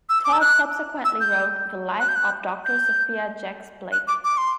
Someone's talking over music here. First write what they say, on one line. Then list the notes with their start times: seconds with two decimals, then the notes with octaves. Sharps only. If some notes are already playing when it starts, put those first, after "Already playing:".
Todd subsequently wrote "The Life of Doctor Sophia Jex-Blake".
0.09 E6
0.24 D6
0.33 E6
0.41 F#6
1.05 E6
1.21 G6
2.00 F#6
2.08 G6
2.15 F#6
2.65 G6
3.92 F#6
4.08 D6
4.24 D6
4.38 C6